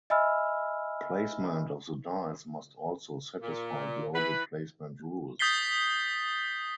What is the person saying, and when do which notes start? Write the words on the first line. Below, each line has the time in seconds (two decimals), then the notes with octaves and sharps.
Placement of the dice must also satisfy global placement rules.
0.10 D#5 E5 G#5 B5 E6 F6
3.41 A#2
4.14 E3 B4
5.39 D#6 G6 A6 B6 C7 G7